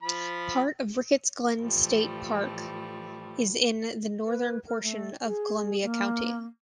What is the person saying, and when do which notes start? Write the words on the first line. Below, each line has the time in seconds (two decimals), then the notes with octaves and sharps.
Part of Ricketts Glen State Park is in the northern portion of Columbia County.
0.03 F3 B5
1.59 A2 E3 F3 G3 A3
4.26 B4
4.67 A#4
4.82 A3
5.25 G#4
5.83 A#3